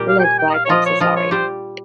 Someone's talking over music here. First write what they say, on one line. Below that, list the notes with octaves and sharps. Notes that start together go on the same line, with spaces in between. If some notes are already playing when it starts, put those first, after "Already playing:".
Bullet Bike accessory.
Already playing: A#2 G3 A#3 G4
F5
G5
G#5
G5
D#5
F5
C#5
F3 F4 D#5
C#5
F3 F4 D#5
C#5
G3 G4 C5